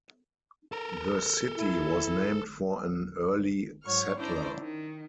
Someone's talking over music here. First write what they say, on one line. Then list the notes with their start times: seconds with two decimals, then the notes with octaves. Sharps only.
The city was named for an early settler.
0.72 A4 A#4
1.56 E4
3.84 G#2 F#3 C#5 C#6 F6
4.17 C#4 D4 E4 C5 D5 A#5
4.60 D#3